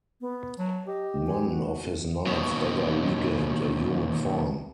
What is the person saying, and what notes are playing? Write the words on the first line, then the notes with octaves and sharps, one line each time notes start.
None of his knights ever regained a human form.
B3
F#3 A5
G4 D#5
G#5
F#4
D#2 B2